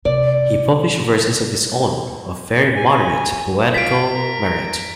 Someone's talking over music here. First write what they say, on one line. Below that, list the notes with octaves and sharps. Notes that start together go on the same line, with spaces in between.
He published verses of his own of very moderate poetical merit.
C3 D5
G#5
F4 B6 D7
A#4